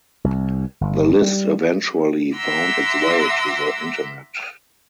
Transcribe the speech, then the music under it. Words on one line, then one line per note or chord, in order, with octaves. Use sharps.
The list eventually found its way to the Internet.
C2
G1
G3
E5 F#5 A#5 C6 D6 E6